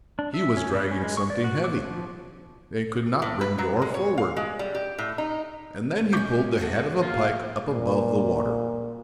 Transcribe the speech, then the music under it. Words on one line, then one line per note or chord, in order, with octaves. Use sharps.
He was dragging something heavy, and could not bring the oar forward; and then he pulled the head of a pike up above the water.
D4
E5
C#4
G3
C#4
G#3
C#6
D5
F#4
D6
F3
A2
B4
F#3
G#3
C#5
F5
G#3
G3
G4
A2
D#4
G#3 C#4 C#6 D6 G6
F3 A3 F#4 G#4 A4
A#3 F4 F5
A#2